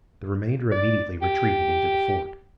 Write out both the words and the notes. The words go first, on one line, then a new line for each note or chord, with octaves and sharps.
The remainder immediately retreated into the fort.
D5
G4